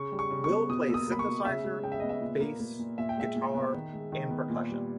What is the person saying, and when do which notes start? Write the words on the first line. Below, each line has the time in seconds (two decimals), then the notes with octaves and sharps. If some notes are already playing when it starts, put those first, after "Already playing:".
Will plays synthesizer, bass, guitar and percussion.
Already playing: C#3 C#6
0.12 G3
0.19 C#6
0.30 C#3
0.44 C#6
0.49 B3
0.69 B2 D#6
0.88 A#3 E6
0.94 D#6
1.07 A#3 B5
1.19 C#6
1.26 B2
1.45 C#3 E5
1.64 G#3
1.83 C#3 G5
1.92 E5
2.00 B3 D#5
2.09 E5
2.21 A#2
2.40 A#3
2.60 A#3
2.79 A#2
2.98 A#2 E5
3.09 G5
3.17 G#3 E5
3.36 A#2
3.54 B3
3.74 D#3
3.93 G#3
4.12 D#3
4.31 B3
4.50 A#2
4.69 G3